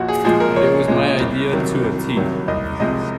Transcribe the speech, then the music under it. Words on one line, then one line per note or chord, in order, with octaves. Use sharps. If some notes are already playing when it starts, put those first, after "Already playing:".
It was my idea to a tee.
Already playing: A#1 F#4
G#4
A#2 F3 G#3 G#4
A#4
A#1 C#5
A#2 F3 G#3
C2
C3 D#3 F#3
C2
C3 D#3 F#3
C2 D#5
C3 F3 G#3 D#5